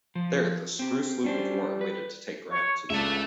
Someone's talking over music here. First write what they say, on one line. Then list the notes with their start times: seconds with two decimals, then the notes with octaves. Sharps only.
There, the screw sloop of war awaited to take Grant to Japan.
0.15 F3
0.79 C4 G4
1.24 G3 C#4 D4 C5
1.81 B4
2.50 C#5
2.90 C#2 D4 A4 E5